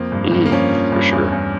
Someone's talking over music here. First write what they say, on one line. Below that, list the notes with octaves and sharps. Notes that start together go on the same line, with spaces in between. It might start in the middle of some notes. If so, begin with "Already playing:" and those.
Mm, for sure.
Already playing: F2 F3 A#3
G2
G2
A#3
F3 C#4
F3
G2
E2
E2